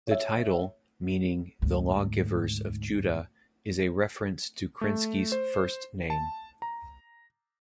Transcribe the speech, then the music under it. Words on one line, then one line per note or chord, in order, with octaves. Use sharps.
The title, meaning "The Lawgivers of Judah", is a reference to Krinsky's first name.
C#5 E5
D2 G#2
A3
C5
A5
A#5